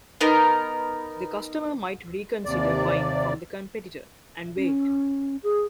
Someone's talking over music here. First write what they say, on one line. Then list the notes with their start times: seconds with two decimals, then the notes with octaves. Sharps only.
The customer might reconsider buying from the competitor, and wait.
0.21 B3 D#4 A#4
2.45 D#2 C3 D5
4.57 C#4
5.43 G#4